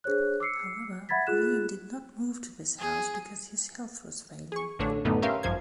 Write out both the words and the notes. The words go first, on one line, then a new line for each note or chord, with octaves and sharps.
However, Green did not move to this house because his health was failing.
D4 G#4 C5 C#5 F#6
D6 E6 C7 C#7
E5 F#5 B5 G#6 A6 B6
F4 G#4 F#6 E7
G#4
G#4 C#6
A1 D3 A3 D4 C#5
F#2 A2 D3 A3 B3 D#4
C#4 G4 A#4 E5 F5 C6
G#1 F#2 F3 C5 G#6